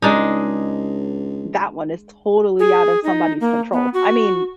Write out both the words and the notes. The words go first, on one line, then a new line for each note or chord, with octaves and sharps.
that one is totally out of somebody's control, I mean
C#2 G#3 D4 D#4
G#4
D#4
A#3
B3
F#4